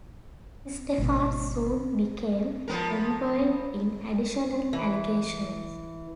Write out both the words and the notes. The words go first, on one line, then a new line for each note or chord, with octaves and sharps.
Stephan soon became embroiled in additional allegations.
G#1 B2
F3 B3 A#4
E3